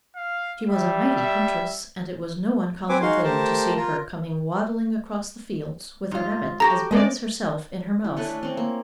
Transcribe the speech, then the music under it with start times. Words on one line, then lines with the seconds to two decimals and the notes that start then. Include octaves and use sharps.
She was a mighty huntress, and it was no uncommon thing, to see her coming waddling across the fields with a rabbit as big as herself in her mouth.
0.16 F5
0.67 G3 E5
1.16 E5
2.89 C4 B4 C5 G#5 D6
3.02 D#4 F#4 G#4 F5 C6
3.24 A3 G4 A#4 C5 A5
3.76 F4 A#4
6.11 G#2 F4
6.60 F#4 G4 A4 A#5 A#6
6.91 G#3 A3 D5 D#5
8.04 E4
8.17 C#4 D4 A4 B4
8.29 A3
8.43 C4 C#4
8.57 A#3